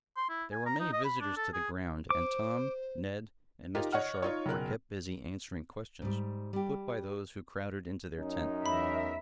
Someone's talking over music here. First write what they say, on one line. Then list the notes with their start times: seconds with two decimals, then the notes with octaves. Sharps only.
There were many visitors to the ground, and Tom, Ned and Mr. Sharp were kept busy answering questions put by those who crowded into their tent.
0.17 C6
0.29 E4
0.52 G#5
0.66 A#5
0.80 D#4
0.93 D#5
1.05 B5
1.21 D4
1.36 A4
1.53 G#4
2.10 C5 D6
3.75 D#4 F4 G4 A#4
3.92 C#5 D#5 F#5 F6
4.22 D#4 F4 C#5
4.46 F#1 B2 A#4 F#6
6.02 G#2 G3
6.53 G3 G4
8.18 F#2 C#4 D#4
8.66 E2 A#4 E5 B5